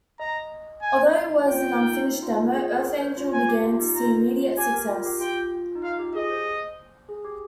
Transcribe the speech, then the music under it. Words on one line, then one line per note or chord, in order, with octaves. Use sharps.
Although it was an unfinished demo, "Earth Angel" began to see immediate success.
D#5 A#5
G#5
F4 G5
F4
D#4
D#4
D#4
F4
F4
G#4
A#4
C#5
C5
F4
F4 G#5
G4
F4
D#4
F4 A#5
G4 G#5
A#4
F4
G4
F4 G5
D#4
F4 F5
G4
G#4 D#5
C5
G#4
G4